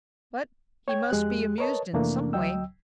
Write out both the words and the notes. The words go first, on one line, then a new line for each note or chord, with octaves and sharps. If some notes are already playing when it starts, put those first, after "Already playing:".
But he must be amused in some way.
C#5 G5 G#6
F2 G#3 G4 F#6
A#4 B4 C#5 D#5 A5
F2 C3 E3 A3 A#3 D4
D2 F#3 D#5 G5 E6